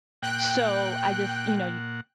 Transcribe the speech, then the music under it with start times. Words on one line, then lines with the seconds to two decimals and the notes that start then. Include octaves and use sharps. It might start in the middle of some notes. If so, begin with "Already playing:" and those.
So I just, you know, y
0.22 A#2 F#5 G5 F#6